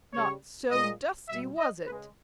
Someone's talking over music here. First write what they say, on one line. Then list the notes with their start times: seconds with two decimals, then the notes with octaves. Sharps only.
Not so dusty, was it?
0.13 C#3 G3 C#5
0.71 A#2 G#3 D#5
1.29 B2 G3 E5
1.58 D#5
1.86 C#3 B4
1.91 G#3